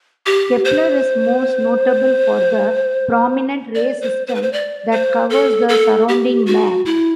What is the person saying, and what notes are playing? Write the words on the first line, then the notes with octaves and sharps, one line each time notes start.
Kepler is most notable for the prominent ray system that covers the surrounding mare.
G4
C5
D5
C5
C5
B4
C5
D5
C5
A4
A4
G4
F#4
E4